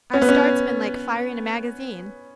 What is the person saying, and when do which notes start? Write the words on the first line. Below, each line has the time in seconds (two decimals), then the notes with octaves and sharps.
Our start's been like firing a magazine.
0.14 C#4
0.22 B3
0.29 C#4